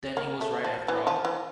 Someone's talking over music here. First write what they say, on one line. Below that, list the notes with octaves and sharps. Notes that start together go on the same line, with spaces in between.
Then he was right after all?
A#3
A3
F3
E3
F3
E3